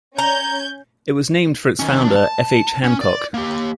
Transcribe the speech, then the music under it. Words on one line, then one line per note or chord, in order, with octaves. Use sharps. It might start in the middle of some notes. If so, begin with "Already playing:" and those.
It was named for its founder, F. H. Hancock.
C#4 A#5 G6 G#6
D#3 C#4
D#2 D4
A5
C#4
D5
A#3 G4